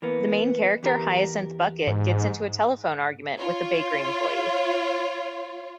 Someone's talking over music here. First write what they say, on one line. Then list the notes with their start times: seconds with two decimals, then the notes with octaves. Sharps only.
The main character, Hyacinth Bucket, gets into a telephone argument with a bakery employee.
0.02 E3 A#3 B3
0.83 E2 G4 A#4
1.87 G#2
3.38 F4 C#5